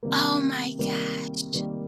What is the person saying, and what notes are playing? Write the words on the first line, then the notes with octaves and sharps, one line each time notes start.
Oh my gosh.
C3 D#3 G3 A#3
C3 D#3 G3 A#3
C3 D#3 G3 A#3